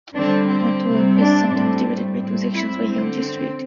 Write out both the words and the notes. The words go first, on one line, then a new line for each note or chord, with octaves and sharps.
North York is sometimes divided by two sections by Yonge Street.
D3 G3 C4 D4
C4
C3 G3 C4
D4
A2 G3 C4
A2 G3 C4
E4
D3 C4
C4